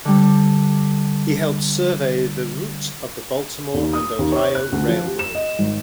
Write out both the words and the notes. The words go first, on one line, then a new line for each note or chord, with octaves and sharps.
He helped survey the route of the Baltimore and Ohio Railroad.
D3 G3
D#2
D#6
D#2
C#5
F#6
D2
F3
G4
E7
D#5
G#1